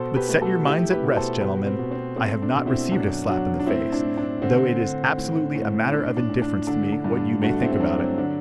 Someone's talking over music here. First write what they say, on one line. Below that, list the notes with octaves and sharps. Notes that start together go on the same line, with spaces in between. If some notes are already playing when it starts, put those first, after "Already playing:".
But set your minds at rest, gentlemen, I have not received a slap in the face, though it is absolutely a matter of indifference to me what you may think about it.
Already playing: B2 A4 C5
G4 B4
A3
F#4 A4
A3 E4 G4
G4 B4
B2
A4 C5
B2 G4 B4
C4
B2
C4
A3 C4
D4
B2
C4 E4
F#2 D4 F#4
F#3 D4 F#4
D4
A2 C4 E4
D4
A2
D4
D3 C4
D3
A2
A2
A2 D4
D4
A2
D4
D3 D4
D4
G2
D4
A3 D4 F#4
C4 E4
C4
F#3 D4
C4
D3 D4